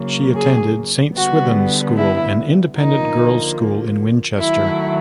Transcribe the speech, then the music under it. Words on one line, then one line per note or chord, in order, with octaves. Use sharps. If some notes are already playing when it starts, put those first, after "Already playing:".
She attended Saint Swithun's School, an independent girls' school in Winchester.
Already playing: C#3 F#3 A#3
G#4
D3 G3 B3 F#4
E4
D3 F3 A#3 D#4
D#3 F#3 A3 E4